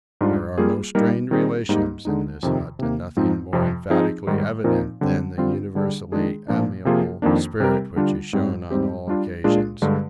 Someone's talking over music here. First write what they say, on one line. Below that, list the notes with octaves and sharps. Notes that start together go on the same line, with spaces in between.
There are no strained relations in this hut, and nothing more emphatically evident than the universally amicable spirit which is shown on all occasions.
G#2 G3 D4 F4
G3 A#3 F4 G#4
G3 A#3 D#4 A#4
D#3 G3 C4 D#4 G#4
G#2 G3 A#3 D#4 G4
D3 G#3 D#4
F2 C3 D#3
C3 D#3 A#3
G#2 F3 C4 D#4
F2 C3 F3
F3 C4 D#4 G#4
G#2 D#3 G3
A#2 F3 C4 D#4 A#4
D3 G3 C4
D3 G3 C4 F4
D3 G3 D4 G#4
D#3 G#3 D4 G#4
A#2 F3 A#3 D4
C3 F3 A#3 F4 G#4
F2 D#3 A#3 D4
C3 G3 C4 G4 A#4
D3 G3 D4 F4
G#2 G3 C4
G#2 G3 C4 G4
G3 D4 F4
A#2 G#3 D4 F4 G#4
G2 D3 G#3